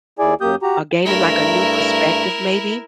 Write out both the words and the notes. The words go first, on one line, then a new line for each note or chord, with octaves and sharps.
or gaining, like, a new perspective maybe?
D#2 E4 G#4 D5 G#5
F#2 A#3 G4 D#6 G6
F#4 G4 A#5
G2 A3 E4 A#4 A#5